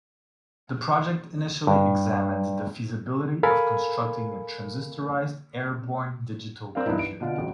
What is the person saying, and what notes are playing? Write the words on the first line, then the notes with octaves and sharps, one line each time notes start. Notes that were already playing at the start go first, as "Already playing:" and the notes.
The project initially examined the feasibility of constructing a transistorized airborne digital computer.
G2
A4 A#4 F5 G#5 B5
C4 A#4 D5 F5
G2 E3 B3 D#4 E4
D7
B2 D3 F4
A1 F#3